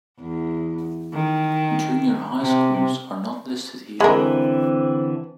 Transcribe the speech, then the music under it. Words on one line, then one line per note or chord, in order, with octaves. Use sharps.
Junior High schools are not listed here.
E2
D#3
C3
D3 E3 G#3 C4 A#4 B5